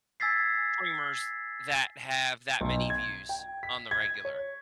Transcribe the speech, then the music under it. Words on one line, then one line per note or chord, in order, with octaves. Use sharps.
streamers that have that many views on the regular.
G#5 E6 G#6 A6 B6 C7
B1
G#6
G5
B6
G#6
C#5